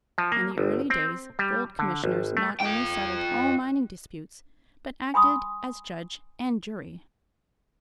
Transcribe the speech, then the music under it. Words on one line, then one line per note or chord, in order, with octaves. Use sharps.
In the early days gold commissioners not only settled all mining disputes, but acted as judge and jury.
F3
A#3
G1
C4
G3
D3
G#1
A3
F4 G5
G#5 B5 C6 D#6